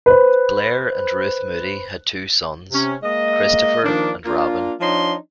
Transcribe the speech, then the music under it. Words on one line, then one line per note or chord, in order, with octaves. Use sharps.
Blair and Ruth Moody had two sons, Christopher and Robin.
B4 C5
C3 C#4
G#3 A#3 D#5
D#3 F3 A#3 D4
A#3 D4 F4
F3 D4 D#4 C#5 C6